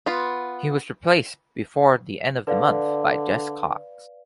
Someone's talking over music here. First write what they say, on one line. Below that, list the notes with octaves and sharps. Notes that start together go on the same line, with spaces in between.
He was replaced before the end of the month by Jess Cox.
B3 F4
D3 B4 D5 F5